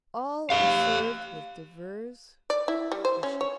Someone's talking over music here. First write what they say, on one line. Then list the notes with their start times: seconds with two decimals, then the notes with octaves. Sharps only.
All are served with divers dishes.
0.50 G4 F5
2.50 D5
2.68 E4
2.92 G3
3.05 C5
3.23 C#4
3.41 C#5